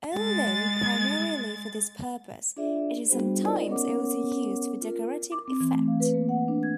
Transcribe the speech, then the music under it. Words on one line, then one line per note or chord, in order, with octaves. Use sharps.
Although primarily for this purpose, it is sometimes also used for decorative effect.
G#3 A6
D4 F4 G#4 D5 E5
G3 B3 D4 F#4 G#4 C5
D#4 F4 A#4 C5 D5 D#5
B3 C#4 A#4 C#5 F#5 D6
F4 A#4
D6
C4
E3
A3
F5
B4
A#3
F#5
D4
G#6